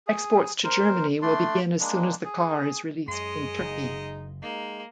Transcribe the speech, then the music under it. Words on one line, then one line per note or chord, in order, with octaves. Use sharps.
Exports to Germany will begin as soon as the car is released in Turkey.
G#4
A#4 C5
A3 D4 D5 C6
G#3 A#3 D4
G#4
F#2 G#3 G#4 D#5 C6
F#1 D#4
G#3 A#3 D#4